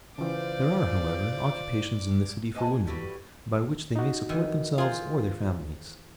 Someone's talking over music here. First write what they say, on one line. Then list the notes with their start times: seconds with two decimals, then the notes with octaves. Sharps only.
There are, however, occupations in the city for women, by which they may support themselves or their families.
0.18 C#3 E3 F4 C5 D5 D6
2.55 B4 C5 D#5 F#5 G#5 A5
2.66 G#4
2.87 G3 A3 E4 F#4 G4 B4
3.96 D#4 F#4
4.29 D#3 E3
4.78 F4 G#4 C5